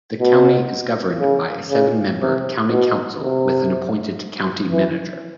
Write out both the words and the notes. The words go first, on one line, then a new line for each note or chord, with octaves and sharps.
The county is governed by a seven-member county council with an appointed county manager.
B2
C#3
C#3
C3
B2
C3
E3